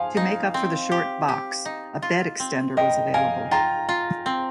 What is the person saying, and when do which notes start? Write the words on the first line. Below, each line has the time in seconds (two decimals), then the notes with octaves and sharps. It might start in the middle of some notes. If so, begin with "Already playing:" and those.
To make up for the short box, a bed extender was available.
Already playing: F3 F5 G#5
0.17 D#4
0.54 C4
0.92 G4
1.29 G4
1.66 D#4
2.02 F4
2.40 C4
2.77 A#4 D#5 G5
3.14 A#4 F5 G#5
3.51 F4 G5 A#5
3.89 F4
4.26 C4